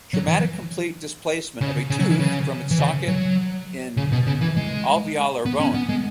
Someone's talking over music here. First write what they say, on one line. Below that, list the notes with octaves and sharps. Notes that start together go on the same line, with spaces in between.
Traumatic complete displacement of a tooth from its socket in alveolar bone.
F#3
E3
C#3
C#3
F#3
E3
C#3
E3
C#3
F#3
C#3
B2
C#3
E3
G#3
B3
C#4
B3
G#3